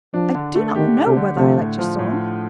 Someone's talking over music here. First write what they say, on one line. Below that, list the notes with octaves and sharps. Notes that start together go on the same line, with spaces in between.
"I do not know whether I liked your song."
F3 D4
D3
A3
D#3 G4
D4
C3
D3
C3 A3
A2
F3
A2